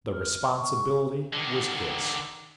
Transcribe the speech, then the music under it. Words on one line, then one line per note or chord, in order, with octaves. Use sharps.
The responsibility was his.
F6
C#6
D3 D#3